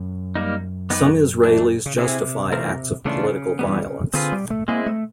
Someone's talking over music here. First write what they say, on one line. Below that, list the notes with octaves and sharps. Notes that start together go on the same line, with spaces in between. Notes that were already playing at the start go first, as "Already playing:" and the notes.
Some Israelis justify acts of political violence.
Already playing: F#2
G3 A#3 D#4
B3 D#4 G4 B4
E3 A3 D4
C#3
C3 C4 E4 G#4
E3 A3 C4 F4 A#4
C#3 E3 A3 D4 F4
E3 G3 B3
D3 C4 F4 G#4 B4
G3
A3
G#3 A#3 C4 E4 G#4
A3